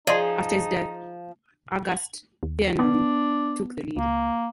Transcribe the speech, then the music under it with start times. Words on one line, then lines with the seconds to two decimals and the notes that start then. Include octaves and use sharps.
After his death, August Thienemann took the lead.
0.07 F3 D#4 G#4 D5 D#5 C6
2.43 D#2
2.79 B3 D4
3.97 C#2 A#3